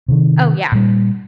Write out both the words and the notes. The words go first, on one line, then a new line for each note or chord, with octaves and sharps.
Oh, yeah.
C3 D#3
A#2 G3